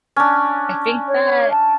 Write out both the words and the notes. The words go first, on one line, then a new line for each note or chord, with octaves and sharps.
I think that
C#4 D4
C#5
A5